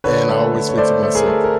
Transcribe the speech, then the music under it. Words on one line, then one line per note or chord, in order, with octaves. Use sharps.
and I always fix it myself.
D3 B4 C#5
A3
A3
C#5
A3 C5 D5
A3
G#4 A#4
A3
A#4